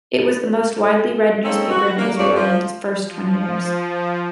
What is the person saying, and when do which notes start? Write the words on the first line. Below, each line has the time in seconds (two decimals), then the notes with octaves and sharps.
It was the most widely read newspaper in Israel in its first twenty years.
1.44 A#3 C4 C#4 D#4 G#4 A4
1.70 F#4
1.98 A#3
2.17 F2 C#5 D5
2.35 F3
3.02 F3